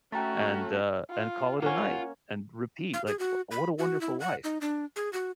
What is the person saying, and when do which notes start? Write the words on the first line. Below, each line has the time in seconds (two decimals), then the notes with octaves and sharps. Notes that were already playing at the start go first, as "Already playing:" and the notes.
and, uh, and call it a night, and repeat. Like, w what a wonderful life.
0.12 A3 C#4 F#4 G5 A#5 A6
1.09 F4
1.62 A#3 C#4 F4 F#5
2.93 F5
3.07 G#4
3.19 F#4
3.51 B5
3.78 F#4
4.01 E4
4.20 F#5
4.44 D#4
4.61 D4
4.96 G#4
5.13 F#4